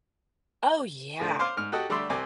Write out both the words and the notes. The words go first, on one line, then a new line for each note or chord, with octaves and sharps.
Oh, yeah.
A2 D3
C5 F5 D6 F6
G#2 F6
F#4 G4 A4 D#5 F#5
D3 G3 A3 D5 E5 C6
C2 C3 C4 G#5 D6